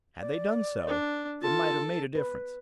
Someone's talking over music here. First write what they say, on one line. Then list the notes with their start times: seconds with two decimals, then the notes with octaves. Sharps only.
Had they done so, it might have made a difference.
0.20 D5
0.87 D4
1.41 F4 A4 A5
2.15 B4